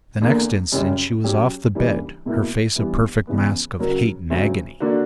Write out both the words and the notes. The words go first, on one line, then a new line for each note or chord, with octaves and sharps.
The next instant she was off the bed, her face a perfect mask of hate and agony.
E2 D3 A#3
F#2 C#3 G3 C#4 G4
F#3 C#4 G4
C#3 E3 G3 A#3 D4
C#2 B2 A#3 E4
G2 E3 G3 B3
E2 C#3 E3 B3
C#3 F#3 C#4 F#4 A#4
D2 C#3 F#3
D3 A#3 D4 F#4